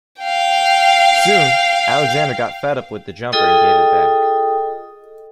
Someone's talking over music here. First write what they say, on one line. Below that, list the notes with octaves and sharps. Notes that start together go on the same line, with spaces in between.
Soon, Alexander got fed up with the jumper and gave it back.
F5 G5
F4 G#4 A4 D#5 G5 D#6